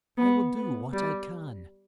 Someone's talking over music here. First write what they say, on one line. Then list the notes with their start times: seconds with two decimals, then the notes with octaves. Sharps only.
I will do what I can.
0.17 B3
0.56 B3
0.92 G3